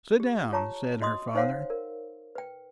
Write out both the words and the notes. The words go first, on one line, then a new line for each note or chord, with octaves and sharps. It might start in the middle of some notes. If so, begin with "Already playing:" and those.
"Sit down!" said her father.
G4
F4 C#5 A5 A#5 C#6
F#4 D#5 C6 D#6
D#4 C5 C#5 F5 F#5
A#4
B4 G5